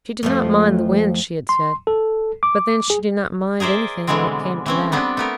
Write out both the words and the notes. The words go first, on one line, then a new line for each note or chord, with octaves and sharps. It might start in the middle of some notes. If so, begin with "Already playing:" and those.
She did not mind the wind, she had said, but then she did not "mind" anything, when it came to that.
F2 F3 A3
C6
A4
D6
G#4
G#4 A#4 C5 D5 E5
B2 D3 E3 G3 G#3 C4
E3 C4 C#4
G3 B3 C4 D4
A3 B3 A#4